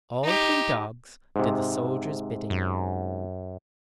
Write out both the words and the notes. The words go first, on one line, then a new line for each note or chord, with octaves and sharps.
All three dogs did the soldier's bidding.
D#4 G4
G#2 C3
F#2